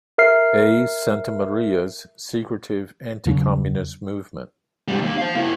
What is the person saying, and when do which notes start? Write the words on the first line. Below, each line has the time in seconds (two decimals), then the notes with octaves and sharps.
A. Santamaria's secretive anti-communist Movement.
0.18 A#4 E5 F6 C7
3.26 E2 C#3 F#3 D4
4.88 G#2 G3
5.02 D#2 A#3
5.18 C5 F5
5.35 A#3 E4